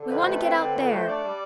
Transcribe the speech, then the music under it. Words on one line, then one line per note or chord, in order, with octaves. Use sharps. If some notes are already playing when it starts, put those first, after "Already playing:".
We want to get out there.
Already playing: D3
F2 B4
C5
A3 B4
C4
D3
F2
A3 C5
D4 D5
G3